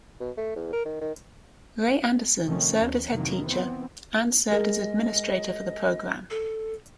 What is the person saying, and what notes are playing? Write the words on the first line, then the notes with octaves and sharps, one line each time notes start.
Ray Anderson served as Head Teacher and served as administrator for the program.
B2
A3
E2
A#4
D#3
D#3
C3 D#3 F3 A3 C#4
D#2
F2 C3 D#3 E3 F#3 A#3
E3 B3 C4
G#3 A#4 D#5
A4